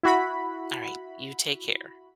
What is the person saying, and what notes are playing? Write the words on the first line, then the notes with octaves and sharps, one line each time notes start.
Alright, you take care.
E4 F#4 B5